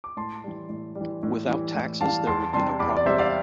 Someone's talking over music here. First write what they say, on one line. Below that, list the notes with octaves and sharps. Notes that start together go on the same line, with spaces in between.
Without taxes there would be no property.
D6
A2 A5 C6
E3 G3
A2
G3
E3
A2
E3 G3
A2
E3 G3 F5 A5
E2 A5 C6
C3 G3 A5 C6
E2 B5 D6
D5
C3 G3 C5 E5
D5 F5